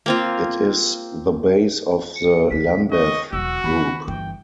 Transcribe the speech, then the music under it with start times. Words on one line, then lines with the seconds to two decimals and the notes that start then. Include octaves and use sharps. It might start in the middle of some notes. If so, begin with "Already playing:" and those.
It is the base of the Lambeth Group.
0.06 A#3 C4 F4
2.16 C#7
2.51 D2 B6
2.92 D#5 C#6
3.33 E1 F#3 F#4 E6
3.64 D#2 B5
4.08 G1 E3 G5